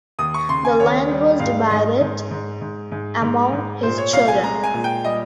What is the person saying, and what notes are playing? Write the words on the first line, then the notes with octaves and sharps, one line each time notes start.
The land was divided among his children.
D#2 D#6
C#6
C#3 C6
G#5
D#2 C#5
G3
G#2 F5
G#2 D#5
G#2
G#2
G#2
G#2
G#2
G#2
A#2 C5
C#5
C2 F5
G#5
G#3 A#5
G#5
A#2
G5
G3 D#5